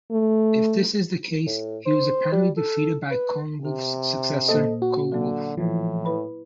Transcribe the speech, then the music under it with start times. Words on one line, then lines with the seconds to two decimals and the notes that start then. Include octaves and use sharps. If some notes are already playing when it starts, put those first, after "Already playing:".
If this is the case, he was apparently defeated by Coenwulf's successor Ceolwulf.
0.11 A3
1.46 A2
1.85 C5
2.32 G3
2.57 A4
3.11 B4
3.65 C3 G4
4.48 A#2 A#3 A4 C5 D#5
4.82 F#4
5.12 D3 F#3 A#3
5.57 A2 E3 F3 E4
6.05 E4 B4 B5